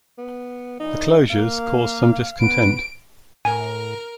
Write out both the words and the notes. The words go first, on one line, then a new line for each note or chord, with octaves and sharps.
The closures caused some discontent.
B3
A#2 E3 D#4
A#3 F5
B3 B4 D7
A2 A#4 G#5